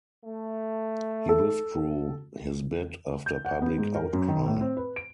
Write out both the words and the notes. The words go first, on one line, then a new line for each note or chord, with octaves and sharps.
He withdrew his bid after public outcry.
A3
A4
G6
F#5
B3
G#2
A#4
F#2
D#3
A2
C4
B4
D7